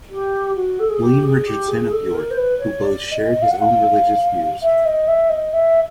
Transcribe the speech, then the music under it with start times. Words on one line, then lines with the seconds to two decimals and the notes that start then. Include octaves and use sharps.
William Richardson of York, who both shared his own religious views.
0.11 G4
0.56 F#4
0.79 A4
0.89 G#4
1.01 G4
1.23 G#4
1.46 G4
1.68 G#4
1.82 G#4
1.92 A4
2.14 A#4
2.31 C5
2.37 B4
2.59 C#5
2.82 D5
3.12 D#5
3.42 F5
3.51 F#5
3.61 F5
4.63 E5
4.85 D#5
5.08 E5
5.29 D#5
5.53 E5